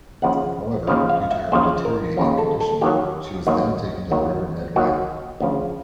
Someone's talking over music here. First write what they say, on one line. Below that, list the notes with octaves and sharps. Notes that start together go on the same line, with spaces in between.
However, due to her deteriorating condition, she was then taken to the River Medway.
D#2 C#3 F3 F#5
D#2 C#3 F3 F5
F5
E5
D#2 C#3 F3 C5
A#4
D#2 C#3 F3
A4
A4
D#2 D#3 F#3 G4
D#2 D#3 F#3
D#2 D#3 F#3
D#2 D#3 F#3 F#4
D2 C#3 F3